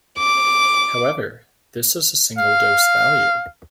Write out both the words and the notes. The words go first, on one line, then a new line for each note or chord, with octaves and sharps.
However, this is a single-dose value.
D6
F5